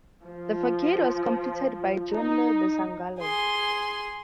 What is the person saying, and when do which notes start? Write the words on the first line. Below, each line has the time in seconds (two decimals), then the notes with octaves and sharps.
The facade was completed by Giuliano da Sangallo.
0.27 F3
2.13 D#4
3.19 G#4 C6